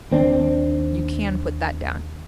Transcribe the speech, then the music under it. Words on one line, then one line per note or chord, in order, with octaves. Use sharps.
You can put that down.
D#2 C4 D4